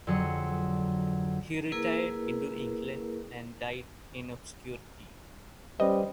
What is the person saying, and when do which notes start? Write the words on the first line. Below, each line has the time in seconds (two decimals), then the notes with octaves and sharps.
He retired into England and died in obscurity.
0.07 F2 D3 F#3 G#4 C#7
1.72 A#3 E4 G#4 A#4 B4
5.80 G3 C#4 B4 C5 D#5